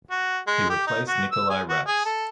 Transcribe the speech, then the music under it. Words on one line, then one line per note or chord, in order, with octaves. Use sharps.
He replaced Nikolai Raps.
F#4
G#3
G4
D#4
F#4
E6
G#4
F#4
G#4
A4